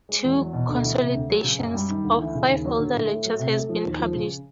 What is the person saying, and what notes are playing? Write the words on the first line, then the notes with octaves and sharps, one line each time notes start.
Two consolidations of five older lectures have been published.
G#3
E2
F#3
B2
D2
E3
C3
D2
F#3
C#3
F#2
G3
D#3
D2
E3
C#3
D#2
F#3
D3
A2
A3
F#3
C3
A3
F3
D#2
F3
C#3